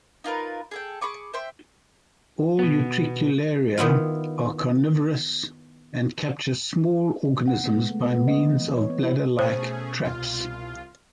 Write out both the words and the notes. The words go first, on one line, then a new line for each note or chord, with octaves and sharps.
All "Utricularia" are carnivorous and capture small organisms by means of bladder-like traps.
D#4 F4 A#4 B4
G#4 A4 G5
G#4 B5 C#6 D6
C5 E5 G5 C6
B2 B3
D#3 B3 E4 F4
C3
F#5
B3
G#3
A3
B3
A#3
D#5
E3
C#5
B3
E4
B2 A3 C#4 G#4 C5
C2 F4